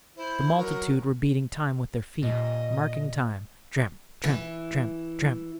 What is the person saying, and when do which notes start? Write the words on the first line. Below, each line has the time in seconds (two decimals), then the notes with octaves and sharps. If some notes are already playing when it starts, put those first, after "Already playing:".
The multitude were beating time with their feet--marking time, tramp, tramp, tramp, tramp.
0.17 E4 C5
0.57 F#3 A#4
2.22 A#2 D#5
4.24 E3